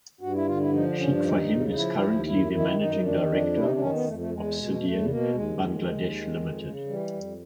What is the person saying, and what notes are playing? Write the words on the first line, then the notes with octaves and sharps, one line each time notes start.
Sheikh Fahim is currently the managing director of Obsidian Bangladesh Ltd.
G2 F#4
E4
D3 F4
E4
F3 D#4
D4
G2 C#4
D4
D#2 D#4
C#3
D#4
F3 E4
D#2
F#2 E4
D#3 E4
F#2 D#4
D#3 D4
F2 D4
C3 E4
D#4
D4
D#3 C#4
B3
F2 A3
A3
E2 G#3
B2
E2 A3
B2 A#3
D#2 G#3
D#3
D#2
D#3
F2
C#3
E3 G3
F2